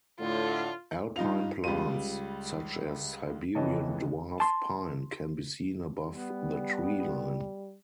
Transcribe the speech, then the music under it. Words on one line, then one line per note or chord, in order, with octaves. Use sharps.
Alpine plants, such as Siberian dwarf pine can be seen above the tree line.
A2 D3 F4
G2 D#4 F4 F7
C#2 G3 F4 D#7
F#1 F2 E3 C#5 D#5 A5
A5 C6
G3 B3